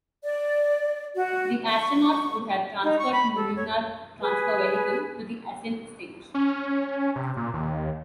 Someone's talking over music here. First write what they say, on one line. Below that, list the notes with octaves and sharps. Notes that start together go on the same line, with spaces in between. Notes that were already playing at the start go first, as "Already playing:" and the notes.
The astronauts would have transferred from the lunar transfer vehicle to the ascent stage.
D5
F#4
C#6
D#4
C#6
B5
A4
C#5
G#4 B4 G#5
C#4
C3
A#2
D#2